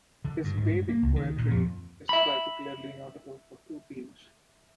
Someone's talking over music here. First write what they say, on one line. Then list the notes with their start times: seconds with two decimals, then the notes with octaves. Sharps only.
His Vedic poetry is particularly notable for two themes.
0.25 D3
0.44 G2
0.57 G#2
0.69 G2
0.89 A#3
1.02 C#2
1.16 D#3
1.38 A#2
1.51 F2
2.09 E5 B5